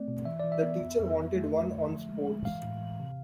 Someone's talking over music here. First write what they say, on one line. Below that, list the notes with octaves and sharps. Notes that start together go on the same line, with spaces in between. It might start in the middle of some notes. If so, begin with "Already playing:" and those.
The teachers wanted one on sports.
Already playing: A3 C4 D5
B2
E3 E5
E3 D5
E5
B3
F2
F2
F2
A3
A3
D3
F3
G#3
G#3
E3 F5
A2
E3
C3